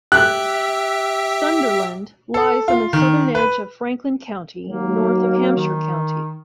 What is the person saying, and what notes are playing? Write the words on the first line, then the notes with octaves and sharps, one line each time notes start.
Sunderland lies on the southern edge of Franklin County, north of Hampshire County.
G4 E5 F#6
A4
F4
D#3
B4
D#2 F#3 A#3
D#3